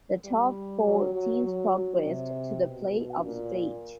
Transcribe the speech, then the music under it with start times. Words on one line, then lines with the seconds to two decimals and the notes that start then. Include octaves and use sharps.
The top four teams progressed to the playoff stage.
0.25 G3
0.85 F#3
1.14 F#3
1.44 F#3
2.05 C3
2.65 B2
3.24 A#2